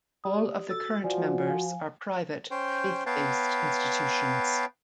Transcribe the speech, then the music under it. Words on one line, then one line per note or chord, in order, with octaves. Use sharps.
All of the current members are private, faith-based institutions.
G4 D5 D#6
F#4 A4 E6 A6
F3 F#4 D5 G#5
F5 G#5
C#4 C5 G5
B3 B4 C#5 F5 G5 A5